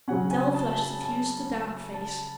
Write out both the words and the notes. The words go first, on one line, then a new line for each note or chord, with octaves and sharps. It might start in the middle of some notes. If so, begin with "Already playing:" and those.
A dull flush suffused the dark face.
C#3 F#3 C#4 F#5
G#5
A5
A5
A5
A5